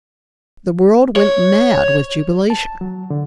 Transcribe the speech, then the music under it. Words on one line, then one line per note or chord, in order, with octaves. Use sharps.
The world went mad with jubilation.
C#5
A5
F#3
D3